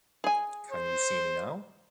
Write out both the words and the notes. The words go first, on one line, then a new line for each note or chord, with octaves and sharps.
Can you see me now?
G#4 G#5
C5